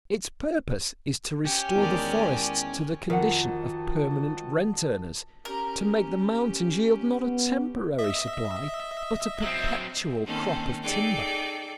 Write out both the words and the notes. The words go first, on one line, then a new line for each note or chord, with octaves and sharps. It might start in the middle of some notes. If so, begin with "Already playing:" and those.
Its purpose is to restore the forests to the condition of permanent rent-earners, to make the mountains yield not a temporary supply, but a perpetual crop of timber.
C#4 G4 G5
E2 D#3 G#3 A#4 D5 A5
F2 D#3 F#4 A#4 D#5 F#5 A5
C#4 G4 A#4
B3
D#5 E5
F#3 C4
D#3 A#3 C4 C#4 A4
D#4 G#4 A4 D5 G5 D6